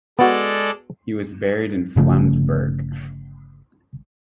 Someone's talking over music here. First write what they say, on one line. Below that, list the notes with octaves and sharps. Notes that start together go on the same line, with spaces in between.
He was buried in Flensburg.
G#3 B3 F#4 A4 D5
G1 C#3 F3 A3